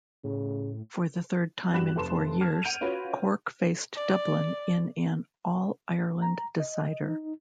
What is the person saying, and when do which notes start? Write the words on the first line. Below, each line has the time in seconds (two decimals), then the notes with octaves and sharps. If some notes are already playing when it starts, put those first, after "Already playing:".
For the third time in four years Cork faced Dublin in an All-Ireland decider.
0.25 A2 C#3
1.72 G2 G3 F#4 B5 F#6 E7
1.96 F1 A3 B4 A5 C6 E7
2.41 A5 F6 G#6
2.62 F#5 G6 D7 D#7 F7
2.81 C#4 F4 F#4 B4 C#5
3.95 D5
6.22 A#5
6.60 D#5
7.02 D#4